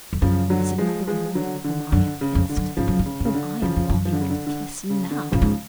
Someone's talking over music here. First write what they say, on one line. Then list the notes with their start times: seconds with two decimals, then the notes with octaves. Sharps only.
"There is another woman whom I have kissed--whom I am longing to kiss now."
0.13 F2
0.22 F#2 C#3 F3
0.50 D3 F#3
0.78 F3 G#3
1.07 F3 G#3
1.35 D3 F#3
1.64 D3
1.92 F#2 D3
2.21 C#3
2.35 F2
2.49 D3
2.56 F#2
2.77 G#2 C#3 F3
2.88 F#2
2.99 G#2
3.06 C#3
3.20 G#2 C#3
3.34 D3
3.62 F#2 C#3 F3
3.76 F2
3.89 F#2
4.05 F3
4.12 D3
4.21 C#3
4.30 D3
4.47 D3
4.90 C#3
5.11 D3
5.32 A2 C#3 F3
5.42 G#2